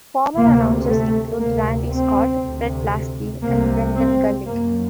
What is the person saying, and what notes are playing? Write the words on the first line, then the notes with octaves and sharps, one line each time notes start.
Former announcers include Randy Scott, Bret Lasky and Brendan Gulick.
D2 C3 A#3
A3
D2 C3 A#3
C4
D2 C3
C2 C3 A#3
C4
F#2 A#3